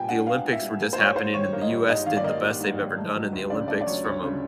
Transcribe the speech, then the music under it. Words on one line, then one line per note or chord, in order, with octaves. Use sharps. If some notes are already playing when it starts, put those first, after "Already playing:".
the Olympics were just happening, and the US did the best they've ever done in the Olympics from a W
Already playing: A#2 G3 B3 G5 G#5
D4 F#5
B3 F5
A#2
E5
G3
A#3
C5
G3 C#5
G#2 C5
D#3 C#5
A#3
D#5
G3
G#2 D#5
D#3 F5
D5
A#3 D#5
G3
G#2
D#3
A3
F#3
D2
C#3 D5
A3 D5
D5
F#3 C#5
D2 C#5
C#3